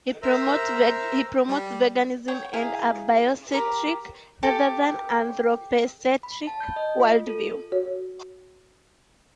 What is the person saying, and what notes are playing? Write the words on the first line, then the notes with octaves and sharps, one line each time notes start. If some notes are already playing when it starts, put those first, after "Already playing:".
He promotes veganism, and a biocentric, rather than anthropocentric, worldview.
A#4 C5 E5 A#5 E6
G3
C#5 F#5 G5 C#6
D#4 E4 G#4 F5
G4 A#4 B5
G4 A4
B5
A5
G6
D#5
F4
A4
F#4 C#5